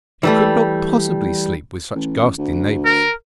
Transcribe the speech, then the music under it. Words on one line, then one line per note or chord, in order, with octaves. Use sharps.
You could not possibly sleep with such ghastly neighbours.'
E3 G3 A3
A1
D2
A#4